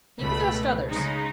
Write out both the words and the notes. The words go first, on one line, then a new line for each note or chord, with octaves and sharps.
He possessed others.
C#2 B2 A3 B5
C#3 G#3 D#4